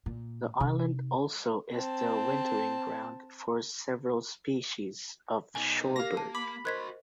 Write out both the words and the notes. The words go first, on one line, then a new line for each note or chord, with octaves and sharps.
The island also is the wintering ground for several species of shorebird.
A#2
C3 D#4
C4 A5
B2 D#4 G#5
A#3 G4 A#4 F5 A#6
A5
B5 D6
F#4 A#4 C5 D#5 C6 F#6 G#6 B6